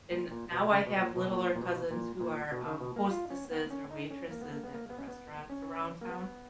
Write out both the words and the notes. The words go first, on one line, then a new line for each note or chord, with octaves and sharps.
and now I have littler cousins who are, um, hostesses or waitresses at the restaurants around town,
A#2
A#2
B2
C#3
B2
B2
A#2
B2
A#2
A#2
B2
A#2
A#2
B2
D#3
B2
A#3
F4
C#4
B3
C#4
D#4
C#4
A#3
B3
A#3
B3
A#3
B3
C#4
B3
C#4
A#3
B3